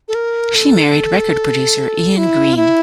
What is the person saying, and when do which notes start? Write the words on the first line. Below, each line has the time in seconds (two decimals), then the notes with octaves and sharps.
She married record producer Ian Green.
0.08 A4
0.15 A#4
0.55 A4
2.17 E4
2.53 F4
2.56 E4